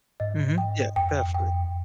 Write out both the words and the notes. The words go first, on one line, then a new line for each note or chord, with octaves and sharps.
Mhm, yeah, definitely.
G#2 D#5
G5
F2 G5
G5